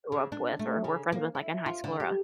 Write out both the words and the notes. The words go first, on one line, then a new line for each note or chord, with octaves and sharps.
grew up with or were friends with, like, in high school or, uh
C#3
D4
A3
C#3
A#3
E4
F4
D3
G4